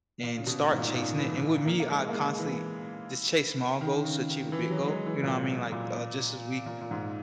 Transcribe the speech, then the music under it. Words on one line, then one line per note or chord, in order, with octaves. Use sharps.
and start chasing it and with me, I constantly just chase small goals to achieve a big goal. You know what I mean? Like, uh, just this week,
A#2
C#3
B2
G#2
A#2
G#2
A#2
E3
A#3
A#3
G#3
A#3
G#3
E3
D#3
C#3
D#3
E3
F#3
G#3
E3
A#2
A#2
A#2
A#2
G#2